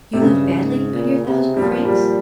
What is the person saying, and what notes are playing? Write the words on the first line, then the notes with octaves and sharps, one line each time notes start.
"You live badly on your thousand francs?"
C3
G2 C#3
G#2
A#2
C3
G3
A#2 F3
G3